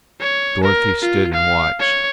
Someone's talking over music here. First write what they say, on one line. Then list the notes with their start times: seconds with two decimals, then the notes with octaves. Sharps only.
Dorothy stood and watched.
0.20 C#5
0.63 A#4
1.02 F4
1.34 F5
1.80 C#5